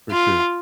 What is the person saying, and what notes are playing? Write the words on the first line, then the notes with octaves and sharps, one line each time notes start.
For sure.
F4